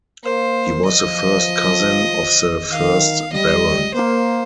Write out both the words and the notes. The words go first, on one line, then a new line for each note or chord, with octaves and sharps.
He was the first cousin of the first Baron.
A#3 C5
F3 D#5
D#3 F5
G3 D#5
A#3 C5